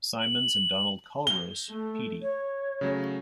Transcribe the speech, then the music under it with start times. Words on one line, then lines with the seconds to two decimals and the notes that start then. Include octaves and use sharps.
Simonds and Donald Culross Peattie.
0.19 F#7
1.27 G7
1.71 A3
2.21 C#5
2.81 C#3 F#3 A3